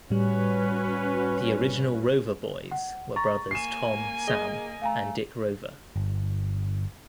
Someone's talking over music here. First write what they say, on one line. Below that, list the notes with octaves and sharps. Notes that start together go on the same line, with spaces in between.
The original Rover Boys were brothers Tom, Sam, and Dick Rover.
A2 G3 C#4 F#4 B4
F#5
A#5 C#6 A6
A#3 G#5 C7 E7
G#4 D#5 G7
A3 F5 G#5 A#5
G1